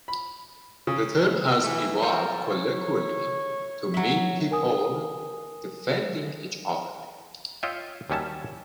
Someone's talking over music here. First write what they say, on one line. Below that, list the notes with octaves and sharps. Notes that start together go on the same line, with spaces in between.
The term has evolved colloquially to mean people defending each other.
B5
C#3
E3 A3
A4 A#4 C5 F5
C#5
F#3 E5
A#4 G#5 D#6
F4 C#5 D#5 E5 G5
D#2 F#3 G3 C#4 E5 A5